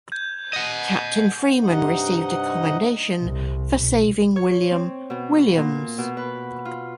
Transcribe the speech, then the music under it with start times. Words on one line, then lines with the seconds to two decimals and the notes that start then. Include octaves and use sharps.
Captain Freeman received a commendation for saving "William Williams".
0.12 G6 G#6
0.53 D#5 F#5
1.63 G2 C3 D#4 D#5 F#5
3.22 C2 C3
3.77 B1
4.36 C#5
4.71 C4
5.10 B2
5.57 A#2
5.98 B2
6.17 B4
6.65 F4